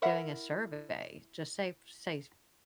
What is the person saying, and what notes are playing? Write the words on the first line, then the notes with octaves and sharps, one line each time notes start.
doing a survey, just say say
E4 A#4 E5 F#5